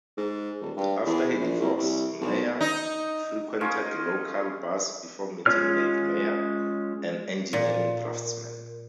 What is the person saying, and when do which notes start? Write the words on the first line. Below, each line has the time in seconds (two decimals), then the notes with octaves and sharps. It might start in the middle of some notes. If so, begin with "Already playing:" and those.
After her divorce, Meyer frequented local bars before meeting Dave Meyer, an engineering draftsman.
0.18 G#2
0.61 D#1
0.76 G2
1.06 E2
1.40 A#1
1.60 C2
1.78 C2
2.21 B1
2.61 D#4
3.61 C#4 D#4 F4 A#4
5.46 G#3 C#4 F4 C#5 F6
7.53 A#2